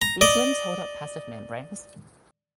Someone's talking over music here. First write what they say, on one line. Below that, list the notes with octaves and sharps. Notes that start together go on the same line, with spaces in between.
These limbs hold up passive membranes.
A#5
D5 D#5